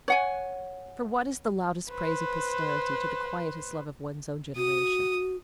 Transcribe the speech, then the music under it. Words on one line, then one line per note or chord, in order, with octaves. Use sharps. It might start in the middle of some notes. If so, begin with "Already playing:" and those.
For what is the loudest praise of posterity to the quietest love of one's own generation?
C#5 F#5 G#5
B4 C5
F#4 D#6